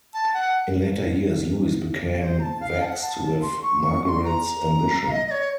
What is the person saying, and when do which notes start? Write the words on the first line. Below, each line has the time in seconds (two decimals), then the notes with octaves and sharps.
In later years Louis became vexed with Margaret's ambition.
0.14 A5
0.34 F#5
2.19 C#5
2.23 C5
2.39 A#5
2.43 A5
2.60 F5
2.81 A5
2.85 F#5
3.02 A5
3.22 A5
3.42 C6
3.62 C#6
3.84 C#6
4.04 C#6
4.08 C6
4.24 A#5
5.07 F5
5.11 D#5
5.27 D#5
5.31 C#5